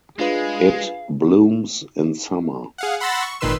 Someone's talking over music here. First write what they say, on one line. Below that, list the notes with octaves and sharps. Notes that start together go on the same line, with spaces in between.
It blooms in summer.
G#3 D4 F4 G#4 B4 F5
G#4 F5 F#5
F#5 B5 C6 E6 A6 A#6
C#6
G#1 A#2 D#3 B4 C6 E6